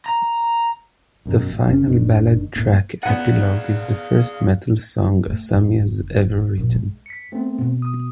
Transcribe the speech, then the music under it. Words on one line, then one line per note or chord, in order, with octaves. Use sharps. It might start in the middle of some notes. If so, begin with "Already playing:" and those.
The final ballad track "Epilogue" is the first metal song Asami has ever written.
A#5
B1 F#2 B2
A1
F#1 C#4
F#1 D#3 C#4 D4
D1 A2 A#3
B3 G#4 D5 F5 F#5
A3
F1
A#1
G#3
B6 C#7
A3 B3 C4
B2
D#6